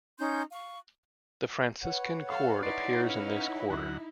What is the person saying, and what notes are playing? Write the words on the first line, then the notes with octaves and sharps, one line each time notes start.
The Franciscan cord appears in this quarter.
C#4 D#4 C6 G6
F5 C#6
B4 C#5 F#5
A4 F5
D#4 E4 D5 A5 C6
C#4 F5
D2 F#3 F#5